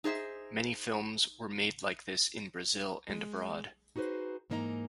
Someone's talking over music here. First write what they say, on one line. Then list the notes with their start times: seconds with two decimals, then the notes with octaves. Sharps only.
Many films were made like this in Brazil and abroad.
0.04 D#4 G#4 C5 E5
3.10 G#3
3.96 D#4 F#4 G#4 B4 C5
4.50 G#2 E3 A#3 D#4 D#5 A#5